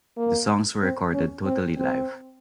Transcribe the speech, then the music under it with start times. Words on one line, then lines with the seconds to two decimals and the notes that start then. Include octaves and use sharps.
The songs were recorded totally live.
0.17 A#3
0.82 C4
1.14 C#4
1.45 C4
1.78 C4